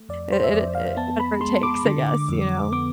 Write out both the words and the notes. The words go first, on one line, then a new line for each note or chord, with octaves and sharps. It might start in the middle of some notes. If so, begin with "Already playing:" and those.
it it, whatever it takes, I guess you know,
Already playing: A3
F2 D5
C5
E5
F2 D5
F5
B3 A5
B5
G#3 C6
D6
D3
F2
B3 D6